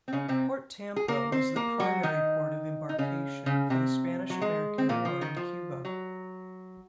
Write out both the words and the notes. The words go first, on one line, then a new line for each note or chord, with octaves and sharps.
Port Tampa was the primary port of embarkation for the Spanish-American War in Cuba.
C4
C#3 C#4
C3 C4
G#4
A#3 A#4
C4 C5
A#3 A#4
F#3 F#4
D#3 D#4
D#4
C#3 C#4
C#3 C#4
C3 C4
F#3
G#3
C4
A#2 A#3
F3
D#3
F3
F#3